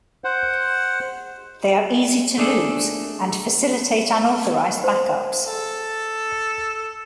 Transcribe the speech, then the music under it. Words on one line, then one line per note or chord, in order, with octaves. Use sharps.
They are easy to lose and facilitate unauthorized backups.
C5 F#5
A3 D4 G#4 A4
C5
A4